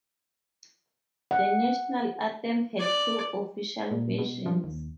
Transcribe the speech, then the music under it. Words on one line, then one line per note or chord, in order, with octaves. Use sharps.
The national anthem had two official versions.
F#5
D5
A#2
B2
F3
D#2